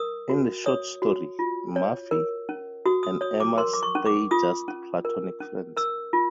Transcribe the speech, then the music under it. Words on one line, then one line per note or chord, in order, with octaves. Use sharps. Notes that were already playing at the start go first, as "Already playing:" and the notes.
In the Schott story, Murphy and Emma stay just platonic friends.
Already playing: A#4 D#6
F#4
C#5 D#6
F#4
F4
C#5
A#4
C#4
F#4 D#6
D#6
C#5 D#6
D6
A#4 C6
D6
C#6
C#4
D6
F4 D#6
C#4
A#4
C#4
A#4 E6
F4